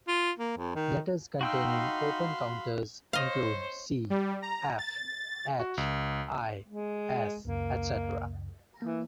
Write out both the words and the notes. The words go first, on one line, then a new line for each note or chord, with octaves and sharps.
Letters containing open counters include c, f, h, i, s etc.
F4
A#3
F2
D#3
D#4 F#4 F5 G5 B5 C6 E6
C5 C#5 D#5 F5
G3
A#5
A6
F#4
C#2
G#3
C#2 F#2 C#3 A#3
E3 A#3